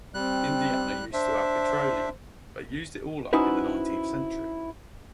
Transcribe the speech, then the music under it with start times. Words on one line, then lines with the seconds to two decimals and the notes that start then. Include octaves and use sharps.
Indiana used to have petroleum but used it all up in the nineteenth century.
0.14 G3 C4 F#6
1.13 D4 C5 E5
3.33 C#4 D#4 E4 F#4 B4 C5